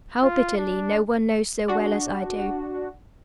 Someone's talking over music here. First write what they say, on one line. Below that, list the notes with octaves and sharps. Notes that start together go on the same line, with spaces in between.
How bitterly no one knows so well as I do.
F4
D4
D4 F#4